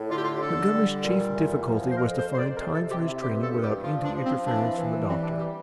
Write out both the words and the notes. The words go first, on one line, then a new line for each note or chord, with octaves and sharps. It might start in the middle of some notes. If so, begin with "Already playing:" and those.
Montgomery's chief difficulty was to find time for his training without any interference from the doctor.
Already playing: A2
D3 F4
G4
F4
G4
D3 A4
G3
A#2
E2
F3
C5
F2 A#4
C5
F2 C5
D5
A#4
C3 C5
A4
C3 G4
E4
G2 G4
A4
G2
G4
F3 F4
D4
F3
C4
E3 D4
E3
G3 C4
D4
G3 G4